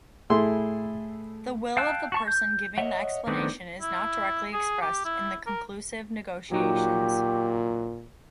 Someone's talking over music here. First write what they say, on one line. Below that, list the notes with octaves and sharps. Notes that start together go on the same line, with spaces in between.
The will of the person giving the explanation is not directly expressed in the conclusive negotiations.
A2 E4 G#4 A4 C6
F5 G5 A5 E6 F#6
F#4 A5 C#6
G6
C#5 D#5 E5 F#5
D#3 A3 B3 C4 D4
E4
G#4
G4
E4
A#4
A#2 F#3 D#4 F#4 G4